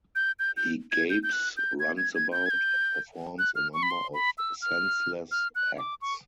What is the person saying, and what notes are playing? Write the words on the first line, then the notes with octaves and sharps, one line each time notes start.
He gapes, runs about, and performs a number of senseless acts.
G6
G6
G6
G#6
G6
G6
F#6
G6
G#6
G#6
G#6
G6
G#6
G6
F#6
F6
C#6
B5
C6
B5
E6
F6
F6
F#6
D6
C#6